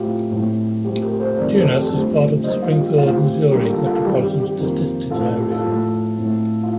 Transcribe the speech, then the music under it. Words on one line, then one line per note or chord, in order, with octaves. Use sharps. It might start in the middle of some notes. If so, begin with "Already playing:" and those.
Tunas is part of the Springfield, Missouri Metropolitan Statistical Area.
Already playing: A2 A3 C4 F4 G4
A2 A3 C4
A#2 A3 C4 G4
G4 A#4
A4 C5
C5
F2 D#3 A3 A#4 D5
A#4
A4 C5
G4
A4
G2 D3 F3 A3 C4 G4
D3 G3 A#3 C5 D#5
F4
G4
A#2 A3 C4 F4
F4
G4
D3 G3 A#3 G4 A#4
F4 A4
F4 A4
G2 D#3 G3 C4 G4
G4
G4
F2 D#3 A#3
A2 A3 C4 F4 A4
F4
G4
F4 A4
A2 F3 A3
A2 A3 C4
F4